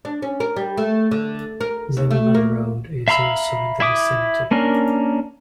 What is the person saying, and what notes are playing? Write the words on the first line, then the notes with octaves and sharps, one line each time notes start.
Zimmerman Road is also in the vicinity.
D4
C#4
A#4
G3
A3
D3
A#4
D#2
A3
A#3
E5 F5 A#5 B5 E6
E4 E5 D6 D#6
A#3 C#4 D4 A#4